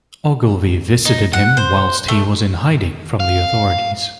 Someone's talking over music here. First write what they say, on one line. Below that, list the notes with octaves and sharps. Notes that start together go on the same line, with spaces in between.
Ogilvie visited him whilst he was in hiding from the authorities.
D#4
F#5
C5
A3
F5